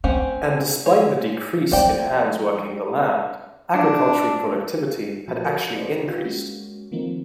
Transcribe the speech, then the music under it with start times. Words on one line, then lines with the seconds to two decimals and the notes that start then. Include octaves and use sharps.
And despite the decrease in hands working the land, agricultural productivity had actually increased.
0.04 A3 C4 C#4 F#5
0.86 G#3 C#5
1.72 F3 G3 C4 D5 G5
3.74 D4
5.28 A#2 F3 F#4 A5 B5 A6
5.44 F#4 A4 A#4 C#5 D#5
5.75 D#4 F#4 B4 C5 D5 D#5
6.08 F4 G4 B4 F5
6.25 G#3 A#3 C#4 F#4
6.92 D#3 F3 A3 A#3 C4 D#4